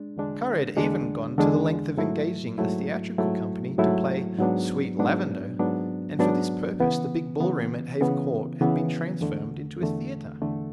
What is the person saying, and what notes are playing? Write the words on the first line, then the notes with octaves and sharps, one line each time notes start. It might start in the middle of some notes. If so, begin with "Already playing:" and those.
Kara had even gone to the length of engaging a theatrical company to play "Sweet Lavender," and for this purpose the big ballroom at Hever Court had been transformed into a theatre.
Already playing: G#3 D4
E2 D3 G#3 D4
E2 D3 G#3 D4
E2 D3 G#3 D4
G#2 F#3 A3 E4
G#2 F#3 A3 E4
G#2 F#3 A3 E4
G#2 F#3 A3 E4
G#2 F#3 B3 D4
G#2 F#3 B3 D4
G#2 F#3 B3 D4
G#2 F#3 B3 D4
C#3 E3 B3
C#3 E3 B3
C#3 E3 B3
C#3 E3 B3
E2 D3 A3
E2 D3 A3
E2 D3 A3